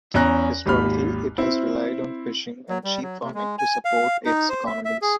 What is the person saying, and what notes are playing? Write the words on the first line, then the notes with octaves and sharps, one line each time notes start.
Historically it has relied on fishing and sheep farming to support its economies.
E2 C#4 A#5 F#6 A#6
G#1 D#2 G4 B5 F6
C4 E4
F#3
G3
F#3
C3
G#3
G#5
F5
D#4
C5
E5
E5
G#4